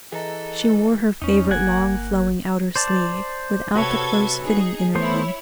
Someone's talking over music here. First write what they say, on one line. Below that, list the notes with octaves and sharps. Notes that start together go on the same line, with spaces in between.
She wore her favorite long flowing outer sleeve, without the close fitting inner one.
E3 G#4 A4 D#5 A#5
E2 C#4 D#4
G1 A#3 F#5 G#5
G1
C5 D5 A5
C3 F#4 A4 B4 C#5 G#6
D#4 G#4
A3 B3 E4 C5 C#5